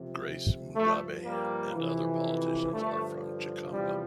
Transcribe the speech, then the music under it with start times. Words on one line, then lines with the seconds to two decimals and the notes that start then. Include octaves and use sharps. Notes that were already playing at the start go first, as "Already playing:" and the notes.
Grace Mugabe and other politicians are from Chikomba.
Already playing: F2 C3 F3
0.76 G2 F3 A3
1.25 G3 A#3
1.74 F2 C3 E3
2.72 G2 D3 F3 A3
3.70 E2 C3 F3 G3